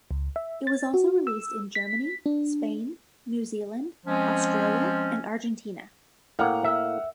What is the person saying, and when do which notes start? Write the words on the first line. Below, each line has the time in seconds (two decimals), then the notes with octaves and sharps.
It was also released in Germany, Spain, New Zealand, Australia and Argentina.
0.11 C#2
0.36 E5
0.67 A6
0.94 F#4
1.27 E6
1.75 B6
2.26 D4
4.06 F3 G#3 C4 C#4
6.39 A2 A#3 F#5 G5 F6
6.64 E5